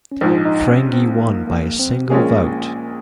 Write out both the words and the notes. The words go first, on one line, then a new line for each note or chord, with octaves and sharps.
Frangieh won by a single vote.
C#4
A#1 G#2 F3 D#4
D#4
C#4
C4
A#3
A#3
C4
A#1 A#2 G#3 A#3 C#4 G#4